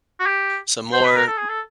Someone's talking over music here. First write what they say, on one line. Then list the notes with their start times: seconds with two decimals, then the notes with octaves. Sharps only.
so more m
0.20 F#4
0.26 G4
0.93 C5
1.04 B4
1.16 A#4
1.27 A4
1.37 G#4
1.49 A4